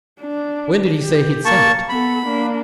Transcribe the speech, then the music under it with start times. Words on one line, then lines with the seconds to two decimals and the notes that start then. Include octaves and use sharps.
"When did he say he'd send it?"
0.21 D4
1.02 G4
1.45 A#3 A5 C#6
1.89 B3 A4 B5
2.26 A#3 D4